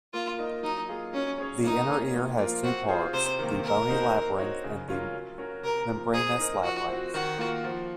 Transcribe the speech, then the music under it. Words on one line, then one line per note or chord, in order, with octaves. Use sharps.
The inner ear has two parts: the bony labyrinth and the membranous labyrinth.
A#3 F4
D#4 A#4 D#5
F#3 D#4
A#3 F4 G#4
F#3 C#4
C#4 G#4 C#5
A#3 D#4
C#4 G#4
A#2
F3 A#3 F4
C4 F#4
F4 G#4 C5
C3 C5
D#3 A#3
A#3 A#4
D#4 F#4 C5 D#5
C4
D#4 F#4 C#5
C#3
F#3 C#4 F4 A#4
F#3
C#4 F#4 A#4
C3 A#4
F3 A#3
C4 G#4
D#4 A#4 D#5
F3 F#4
C4 F#4
D#3 F#4
A#3 F4
F3